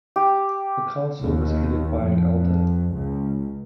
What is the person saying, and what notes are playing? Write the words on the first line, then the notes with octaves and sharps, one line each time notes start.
The council was headed by an elder.
G4
D#2
F2
C#2